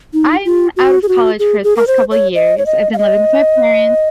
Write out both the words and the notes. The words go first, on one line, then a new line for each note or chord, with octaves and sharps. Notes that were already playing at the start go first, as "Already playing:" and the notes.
I'm out of college for the past couple years. I've been living with my parents,
D#4
F4
F#4
G#4
F#4
G#4
G#4
A#4
C5
C#5
D#5
C#5
D#5
F5
D#5